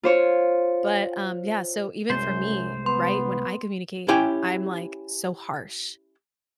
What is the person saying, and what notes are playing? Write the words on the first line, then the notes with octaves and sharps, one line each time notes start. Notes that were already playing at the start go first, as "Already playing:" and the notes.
but, um, yeah, so even for me, right, when I communicate, I'm, like, so harsh,
F4 C5 C#5
C2 F#2 G#3 C5
B3 C6
C#4 E4 G4 C#5 G5 G#5